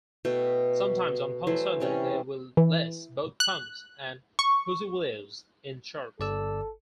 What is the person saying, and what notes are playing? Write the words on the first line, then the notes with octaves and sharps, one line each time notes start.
Sometimes, on Palm Sunday they will bless both palms and pussywillows in church.
B2 A3 F#4 G5
E3 F#3 A3 C5
C3 G3 C#4
E3
F#6
C#6
G1 A4 D5 E6